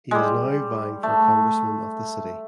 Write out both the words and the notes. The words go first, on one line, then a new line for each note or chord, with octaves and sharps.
He is now vying for congressman of the city.
G3 G#3
A3